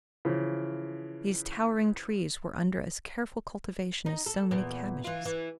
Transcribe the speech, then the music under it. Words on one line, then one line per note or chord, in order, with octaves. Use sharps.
These towering trees were under as careful cultivation as so many cabbages.
C#3 E3 F3
D#4
A4
E2 A#2 B3
E3 F4
E3